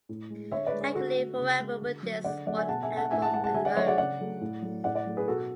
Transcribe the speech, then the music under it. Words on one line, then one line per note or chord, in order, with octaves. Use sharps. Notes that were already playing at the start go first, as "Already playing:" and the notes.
I could live forever with this one album alone.
A2
G#3
D3 C#5 E5
B4 D5
G#3
G#4 B4
D3 F#4 A4
A3
C#3
G#3
D3
F#3 A3
D3 D5 F#5
F#3 A3 D5 F#5
E5 G#5
B2 F#5 A5
E5 G#5
A3
F#5 A5
A2 E5 G#5
F#5 A5
G#3 F#5 A5
F#5 A5
D3 E5 G#5
D5 F#5
F#3 A3 C#5 E5
D5 F#5
C#3 D5 F#5
F#3 A3
A2
F#3 A3
A2 D5 F#5
D5 F#5
F#3 A3
G#4 B4
B2 F#4 A4